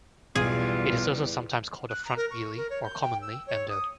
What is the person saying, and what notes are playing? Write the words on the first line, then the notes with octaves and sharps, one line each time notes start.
It is also sometimes called a front wheelie, or commonly endo.
B1 E2 G3 F4 G#4
F#6
A#5
A#4
C#6
A#4
C#5
G6
G5
E6
C#5
D#6